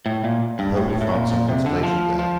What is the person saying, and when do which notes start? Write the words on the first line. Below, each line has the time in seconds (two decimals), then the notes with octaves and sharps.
I hope he found some consolation there.
0.06 A2
0.24 A#2
0.59 G2
0.77 A2
0.90 A2
1.01 A2
1.13 A#2
1.31 A#2
1.49 C3
1.66 D3
1.83 F3
2.19 F3